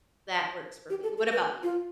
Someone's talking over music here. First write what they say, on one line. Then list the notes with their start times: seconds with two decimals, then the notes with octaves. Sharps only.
that works for me, what about you?
0.90 G4
1.03 A4
1.18 A4
1.31 B4
1.63 F4